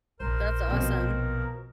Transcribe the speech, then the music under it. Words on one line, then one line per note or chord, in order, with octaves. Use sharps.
that's awesome.
A#1 A#4 C5
B2 F3 C4